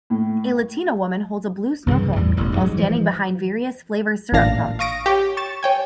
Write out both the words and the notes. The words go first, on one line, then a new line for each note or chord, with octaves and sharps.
A latina woman holds a blue snocone while standing behind various flavorsyrup pumps.
A2
C2 G2 C#3 E3
E2 A2 G3
E1 A1 G2
G#2 F#3 G#3
E3 F3
A1 A#2 D4 F5 A#6
F5 C#6 D#6 A#6 D7
G4 C#5
C#6 A6 E7
C#5 G5 G#5